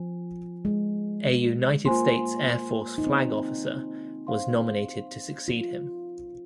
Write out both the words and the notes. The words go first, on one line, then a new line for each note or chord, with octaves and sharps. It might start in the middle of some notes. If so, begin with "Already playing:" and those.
A United States Air Force flag officer was nominated to succeed him.
Already playing: F3 C5 G#5
G#3
A#3 F4 C5 G#5 C6
D#4
C4
C5 F5 C6
F4